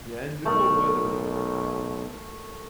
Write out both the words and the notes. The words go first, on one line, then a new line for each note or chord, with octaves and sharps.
Yeah, and the cold weather
B1 A3 A#4 D#5